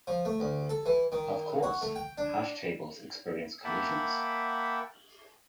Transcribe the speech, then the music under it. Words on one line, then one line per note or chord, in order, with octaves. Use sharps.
Of course, hash tables experience collisions.
F3
A3
D2
A4
E3
D#3
F#4
A3
G5
D4
A#3 E5 F#5 G5 A5 B5